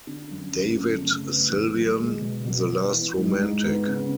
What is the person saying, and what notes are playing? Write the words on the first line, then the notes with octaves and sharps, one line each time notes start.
"David Sylvian: the Last Romantic".
D3
F#2
F#2
A3
C#3
B3
E2
F#3
G#3
B2
B2
B3
E3
G#2
G#2
B3
C#3